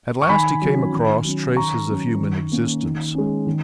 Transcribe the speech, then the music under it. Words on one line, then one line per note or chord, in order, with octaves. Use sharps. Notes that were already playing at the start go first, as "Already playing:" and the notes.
At last he came across traces of human existence.
C#6
D#3 G#5 B5
F#3 C#4
D#3
F#3 C#4
D#3 A#5 C#6
F#3 C#4
D#3
A#3 C#4
D#3
G#3 C#4
D#3